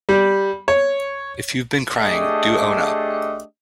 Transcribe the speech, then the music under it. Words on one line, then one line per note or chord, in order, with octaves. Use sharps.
If you’ve been crying do own up.
G3
C#5
A3 D4 G4 G#4 D#5